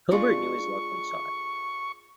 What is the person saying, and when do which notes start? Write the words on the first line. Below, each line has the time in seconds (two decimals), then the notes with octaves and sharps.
Hilbert knew his luck when he saw it.
0.11 G#3 D4 F4 C#6